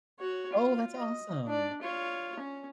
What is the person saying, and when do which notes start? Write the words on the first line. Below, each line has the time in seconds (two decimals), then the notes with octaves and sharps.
Oh, that's awesome!
0.19 F#4 C#5
0.52 F4
0.97 D#5
1.47 D4 D5
1.82 F4 C#5
2.40 C#4